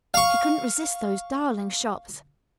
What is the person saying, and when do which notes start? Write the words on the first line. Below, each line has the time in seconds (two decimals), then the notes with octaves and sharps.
She couldn't resist those darling shops.
0.14 F5 C#6